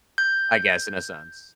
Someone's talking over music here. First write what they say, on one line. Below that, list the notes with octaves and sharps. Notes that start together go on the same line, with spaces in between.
I guess, in a sense.
G6